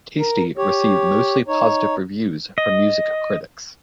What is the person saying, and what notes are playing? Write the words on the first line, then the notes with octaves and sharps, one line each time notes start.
"Tasty" received mostly positive reviews from music critics.
A#4
G4 C#5
D#4 C#5
D#5